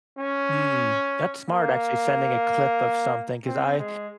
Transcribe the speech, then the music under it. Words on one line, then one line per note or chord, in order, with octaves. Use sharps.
Mm, that's smart actually sending a clip of something, 'cause I
C#4
A#3
C4
G#3